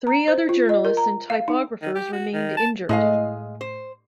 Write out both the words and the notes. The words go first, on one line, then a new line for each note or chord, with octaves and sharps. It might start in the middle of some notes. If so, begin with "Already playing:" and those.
Three other journalists and typographers remained injured.
A#5
C5
F4
D#5
A#4
A#5
F5
D#4
D#3
G4
F#4
D#3
A5
A2 G#3 D#5 F5
C5